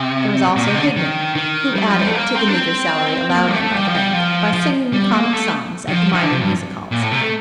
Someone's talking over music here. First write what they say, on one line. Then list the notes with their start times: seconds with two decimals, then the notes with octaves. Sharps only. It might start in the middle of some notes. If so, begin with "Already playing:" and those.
There was also Hignett, who added to the meagre salary allowed him by the bank by singing comic songs at the minor music halls.
Already playing: C3
0.56 A#2
0.67 C3
0.75 D3
0.96 D#3
1.36 D#3
1.75 G3
1.90 F3
1.99 G3
2.07 A3
2.15 A#3
2.35 C4
2.48 D4
2.55 C4
3.30 C4
3.35 A#3
3.48 G3
3.55 A3
3.74 G3
3.87 F3
3.94 G3
4.13 F3
4.53 F3
4.93 G3
5.13 A#3
5.33 A3
5.88 D#3
5.92 F3
6.13 D#3
6.22 D3
6.32 C3
6.41 G2
6.92 A#2
7.01 A2
7.12 C3
7.21 A3